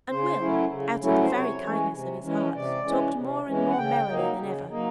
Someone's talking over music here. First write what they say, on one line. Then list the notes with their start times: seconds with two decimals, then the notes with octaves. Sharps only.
And Will, out of the very kindness of his heart, talked more and more merrily than ever.
0.10 C#3 C5
0.40 F#3 A3 C#4 E4
0.72 C#3
1.01 F#3 A3 C#4 E4
1.23 C5
1.33 C3 C#5
1.64 E3 G#3 C#4
1.94 C3
2.24 E3 G#3 C#4
2.55 C3 D5
2.86 E3 G#3 C#4
3.16 C3
3.47 E3 G#3 C#4
3.70 F#5
3.77 C#3 G5
4.09 F#3 A#3 D#4
4.39 C#3
4.70 F#3 A#3 D#4